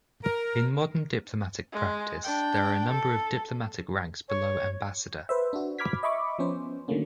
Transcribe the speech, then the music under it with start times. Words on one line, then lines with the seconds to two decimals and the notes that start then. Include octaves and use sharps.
In modern diplomatic practice, there are a number of diplomatic ranks below Ambassador.
0.24 A#4
1.72 G#3
2.23 D4 G5
2.90 A4
4.28 C#5
5.29 B4 C5 E5
5.53 D4 F#4
5.79 B5 D6 F6 G#6 B6
6.03 D#5 E5 B5 C#6 D6
6.39 F3 B3 C#4 C5
6.88 D3 D#3 F#3 A3 A#3 C#4